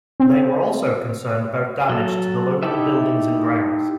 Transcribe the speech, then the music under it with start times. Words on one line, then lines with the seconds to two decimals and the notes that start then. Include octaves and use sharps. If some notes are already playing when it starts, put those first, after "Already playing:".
They were also concerned about damage to the local buildings and grounds.
0.20 C4
1.89 F#3 A4
2.63 D#4 E4 G4 A4 E5